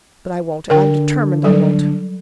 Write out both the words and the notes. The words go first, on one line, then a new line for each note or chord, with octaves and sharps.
But I won't . . . and I'm determined I won't.
D3 A#4 G5
F#3 G3 A4